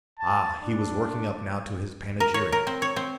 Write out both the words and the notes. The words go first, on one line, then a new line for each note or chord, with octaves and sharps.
Ah! he was working up now to his panegyric!
A5
D4
A#4
C#5
A#4
C4
C#5
C4